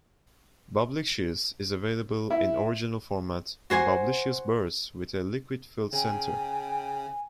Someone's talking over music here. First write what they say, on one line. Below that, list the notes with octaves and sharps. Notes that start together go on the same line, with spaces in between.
Bubblicious is available in original format and Bubblicious Bursts with a liquid-filled center.
E4
F#4 C5 G#5 C6
C#3 G5 G#5